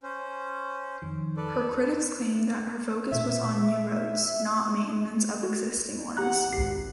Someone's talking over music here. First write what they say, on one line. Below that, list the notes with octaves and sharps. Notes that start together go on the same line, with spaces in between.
Her critics claim that her focus was on new roads-not maintenance of existing ones.
C#4 C5
F2 D#3
A4 B4 D5
A#2 F4 E5
F#4
G4 F#5 A#5 F#6
G#1 G4 C7